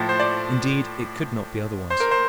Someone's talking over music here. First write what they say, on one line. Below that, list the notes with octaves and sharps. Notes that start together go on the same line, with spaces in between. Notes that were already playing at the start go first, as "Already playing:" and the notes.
Indeed, it could not be otherwise.
Already playing: A2 F3 A5
C5
D5
C5
A#4
C5